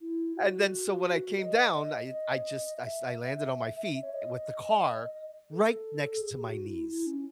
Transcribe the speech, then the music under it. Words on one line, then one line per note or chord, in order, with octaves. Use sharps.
And, then so when I came down, I I just I s I landed on my feet with the car right next to my knees.
E4
F#4
D#5
D#5
D#5
E5
C#5
D#5
A4
A4
G#4
G#4
F#4
E4
E4
C#4